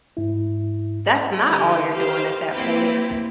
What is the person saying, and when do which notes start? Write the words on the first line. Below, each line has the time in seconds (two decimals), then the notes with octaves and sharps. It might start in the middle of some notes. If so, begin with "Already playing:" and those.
That's not all you're doing at that point.
0.17 G#2 E4
1.47 D3 D#4 E4 G4
1.92 G4 B4 C5 F5
2.53 A#3 C4 E4 G4 B4